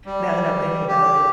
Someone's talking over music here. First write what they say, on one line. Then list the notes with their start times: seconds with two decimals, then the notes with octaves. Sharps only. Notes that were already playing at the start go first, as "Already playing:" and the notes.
Now that I'm thinking about it.
0.06 G3
0.88 G4